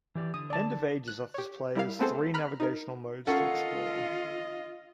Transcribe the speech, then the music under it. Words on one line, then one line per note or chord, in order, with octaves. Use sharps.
"End of Ages" offers players three navigation modes to explore.
E3 G4 D5
D3 D#6
D5 A5
F#6
G4 C#5
G3 E4 A#4 F5
A3 B3 C4 G#4 A4 C5
A#5 B5 F6 F#6
D#4 A#4
C#4 F4 A4 A#4 D#5 F#5